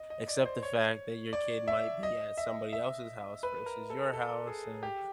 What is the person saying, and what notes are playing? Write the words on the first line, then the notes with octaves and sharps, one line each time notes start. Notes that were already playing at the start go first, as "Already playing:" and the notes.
accept the fact that your kid might be at somebody else's house versus your house, and,
Already playing: D#5
D#5
D5
C5
C#5
D5
E5
D#5
E5
E5
B4
A#4
A4
A4
G#4
G4